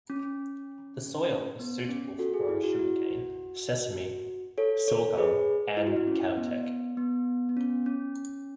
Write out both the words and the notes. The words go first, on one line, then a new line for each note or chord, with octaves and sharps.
The soil is suitable for growing sugar cane, sesame, sorghum and cattle tech.
C#4
B3
C#4
F#4 A4
G#4
E4
F#4
E4
F#4
A4 C#5
A4 C#5
G#4 B4
E4
F#4
E4
C#4
B3
B3
B3
C#4
C#4